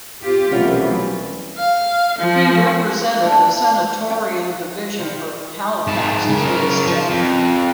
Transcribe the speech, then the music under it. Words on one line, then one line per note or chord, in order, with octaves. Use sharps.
He represented the senatorial division for Halifax until his death.
C4 F4 G4
C2 B2 E3 F#3 A3 C#4 F4 F#4
F5
F3
A3 D4 E4 A4
F4
C#4 F5 G5
D#3 F3 G3 C5
G#2 A5
C#3 A#4
F3
F2